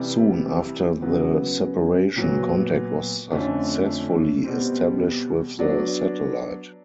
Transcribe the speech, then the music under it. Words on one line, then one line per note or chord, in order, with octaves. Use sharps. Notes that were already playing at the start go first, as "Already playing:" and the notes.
Soon after the separation, contact was successfully established with the satellite.
Already playing: C3 E3 G3
C#3 F#3 B3
A#2 F#3 B3
F2 D3 F3 A3 C#4
B2 G3 C4
F#3 B3 D4